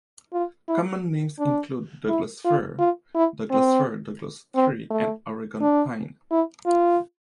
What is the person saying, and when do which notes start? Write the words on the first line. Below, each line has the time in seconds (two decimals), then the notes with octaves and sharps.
Common names include Douglas fir, Douglas-fir, Douglas tree, and Oregon pine.
0.33 F4
0.68 E4
1.39 D4
2.09 E4
2.45 F4
2.79 F4
3.15 E4
3.50 C4
4.55 C4
4.90 A3
5.61 D4
6.31 E4
6.66 F4